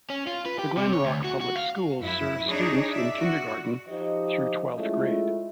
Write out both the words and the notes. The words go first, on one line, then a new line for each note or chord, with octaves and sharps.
The Glen Rock Public Schools serve students in kindergarten through twelfth grade.
C#4
F4
B4
G4
C3
C#5
D2
F#4
F#4
F5
F#2 E4
D4 D#4 G#4 C#5 D5
D5 E5
F#4
F3 D#4 G4 D#5
G#3 A3 C#4 E4 F4